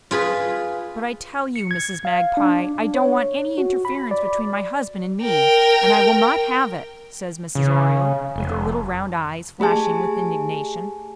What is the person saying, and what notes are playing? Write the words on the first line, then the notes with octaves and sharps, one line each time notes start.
"But I tell you, Mrs. Magpie, I don't want any interference between my husband and me, and I will not have it," says Mrs. Oriole, with her little round eyes flashing with indignation.
F4 G#4 B4 B5
C#7
G#6
F5
D4
C#5
F#4
B5
D5
A#4 G5
C#3
F1
A3 G4 G#4 G#5 A5